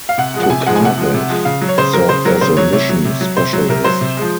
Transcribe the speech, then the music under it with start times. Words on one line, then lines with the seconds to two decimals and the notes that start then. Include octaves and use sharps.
Tokarev served as a Mission Specialist.
0.09 F5
0.18 C3 F#5
0.34 F3 G#3
0.43 F#5
0.50 C3 G#5
0.66 F3 G#3 F#5
0.76 G#5
0.81 C3 F#5
0.98 F3 G#3
1.14 C3
1.30 F3 G#3
1.45 C#3 F5
1.61 F#3
1.69 C#5
1.78 C#3 C5
1.93 F#3 A#4
2.09 C#3 C5
2.25 F#3 A#4
2.41 C#3 C5
2.57 F#3 C#5
2.73 C3 C#5
2.89 F#3
3.05 C3
3.21 F#3
3.37 C3 C5
3.53 F#3
3.69 C3 A#4
3.84 F#3 C5
4.01 C3
4.17 F3 G#3